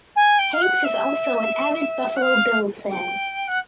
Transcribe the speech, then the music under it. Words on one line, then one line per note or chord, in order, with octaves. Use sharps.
Hanks is also an avid Buffalo Bills fan.
G#5
G5
F5
F#5
E5
F#5
F5
G5
F#5